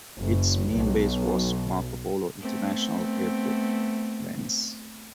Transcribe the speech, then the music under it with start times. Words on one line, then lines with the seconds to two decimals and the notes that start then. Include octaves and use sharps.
Its main base was Marco Polo International Airport, Venice.
0.17 F#1
0.73 B1
2.40 A3 B3 C4